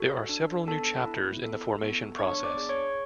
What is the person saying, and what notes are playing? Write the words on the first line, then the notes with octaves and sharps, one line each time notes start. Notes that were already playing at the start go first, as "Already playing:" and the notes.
There are several new chapters in the formation process.
Already playing: F#4 A4
D4
B3 A4 A5
E4
A4
B3
D4 C#5 C#6
D5 D6
G#4
C#5 C#6